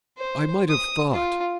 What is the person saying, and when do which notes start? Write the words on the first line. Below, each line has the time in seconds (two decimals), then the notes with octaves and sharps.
"I might have thought!"
0.17 C5
0.70 D#6
1.14 F4